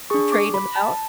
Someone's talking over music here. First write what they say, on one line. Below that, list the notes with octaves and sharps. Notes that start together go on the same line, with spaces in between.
Trade 'em out?
D4 G#4 C#6
D6
B5
A5